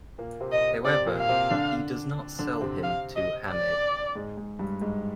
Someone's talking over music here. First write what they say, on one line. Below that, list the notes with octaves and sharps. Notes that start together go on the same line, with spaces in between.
However, he does not sell him to Hamegg.
A#2 A#3
C3 C4
D#5
C3 C4 D5
A#2 A#3
F5
C3 C4
D3 D4
D3 D4
C3 C4
F5
D#5
D5
G#2 G#3
G#2 G#3
G2 G3
G#2 G#3